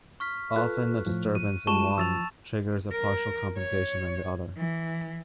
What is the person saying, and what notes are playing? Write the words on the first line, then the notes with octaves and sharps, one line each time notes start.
Often a disturbance in one triggers a partial compensation in the other.
C#6 F6 B6
F4 A4 B4 F#6
A2 F3
D#7
G3 G#3 F4 A5 C#6 E7
F3 E6 A6 F7
A#4
C#5
E3